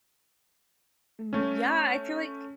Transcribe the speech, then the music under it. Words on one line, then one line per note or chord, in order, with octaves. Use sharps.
Mm, yeah, I feel like
A3 C#4